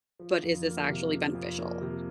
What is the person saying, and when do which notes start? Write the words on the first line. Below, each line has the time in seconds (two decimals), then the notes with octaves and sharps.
but is this actually beneficial?
0.19 F3
0.43 F2
0.66 A#3
0.89 C3
1.12 F3
1.35 F2
1.58 A#3
1.81 C3